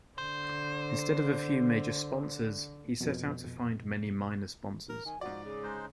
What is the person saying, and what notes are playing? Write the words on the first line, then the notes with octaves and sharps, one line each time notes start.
Instead of a few major sponsors, he set out to find many minor sponsors.
D3 C5
F2 B2
A#4
D#3 G#5
G#2 F3 F#4 D5
C#3 G#4
G#3 D#4 C5